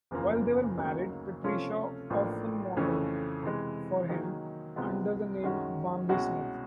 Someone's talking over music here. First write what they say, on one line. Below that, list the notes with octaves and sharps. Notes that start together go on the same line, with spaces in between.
While they were married, Patricia often modeled for him, under the name Bambi Smith.
F#1 E2 C#3 F3 A#3
D2 C#3 F#3 A#3 D#4
C3 F3 A3 C#4 F4
A1 A2 F3 A#3 D4
F2 C#3 E3 A3 C#4
C3 E3 G#3
D#3 F#3 A#3 D#4 G#4
C2 C3 F3 G#3 B3
F#2 D#3 G#3 C#4 F#4
C2 B2 G#3 C#4 F#4